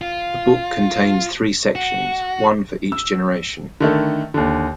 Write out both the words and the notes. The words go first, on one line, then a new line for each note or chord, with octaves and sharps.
The book contains three sections, one for each generation.
F4
F#4
E6
D3 D#3 A3
D#2 D3